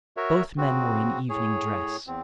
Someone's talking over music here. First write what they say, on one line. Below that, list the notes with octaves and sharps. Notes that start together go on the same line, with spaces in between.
Both men were in evening dress.
F#4 A#4 C#5 E5
C#3 C4 F#4
A2 G#4 C#5
E2 C4